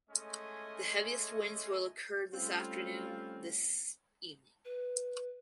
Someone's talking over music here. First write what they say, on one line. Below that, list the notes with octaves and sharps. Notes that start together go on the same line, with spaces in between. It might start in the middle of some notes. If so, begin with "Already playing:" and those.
The heaviest winds will occur this afternoon, this evening.
G#3 A3 C#4 D#5 G#5
G3 A3 C4 C#4 F4
B4